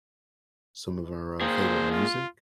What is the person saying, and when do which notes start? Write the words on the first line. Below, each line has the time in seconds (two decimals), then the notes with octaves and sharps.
some of our, uh, favorite music,
1.41 A#3 G#4 C5
1.91 F4